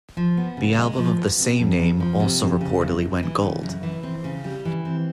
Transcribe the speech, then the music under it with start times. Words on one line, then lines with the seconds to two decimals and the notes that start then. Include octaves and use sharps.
The album of the same name also reportedly went gold.
0.17 F3
0.37 B3
0.57 C#3
0.78 G#3
0.98 F3
1.18 B3
1.39 C3
1.59 F2
1.79 F2
2.00 F3
2.20 C3
2.41 F2
2.61 C#3
2.81 F#2
3.02 F#2
3.23 E3
3.42 C#3
3.63 F#2
3.83 E3
4.03 C4
4.24 C#3
4.44 G3
4.65 E3
4.85 C4